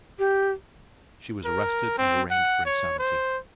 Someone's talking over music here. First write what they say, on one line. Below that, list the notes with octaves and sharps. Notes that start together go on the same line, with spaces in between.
She was arrested and arraigned for insanity.
G4
A#4
C4
F#5
C#5
C5